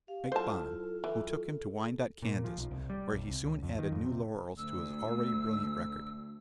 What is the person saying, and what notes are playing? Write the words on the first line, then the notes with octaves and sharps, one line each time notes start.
Ike Bonham,--who took him to Wyandotte, Kansas, where he soon added new laurels to his already brilliant record.
G4 F5
F#3 E4 F4 A4 C5 A5
E3
A#2
F3
B1
C2
G3
B1
C2
C#2
F2
D#3
F2
C3
D2 E6